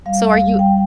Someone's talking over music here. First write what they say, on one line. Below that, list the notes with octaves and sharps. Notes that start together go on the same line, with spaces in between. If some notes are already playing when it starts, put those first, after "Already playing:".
so are you
G3 F5
D2
F5
G3
G3 G5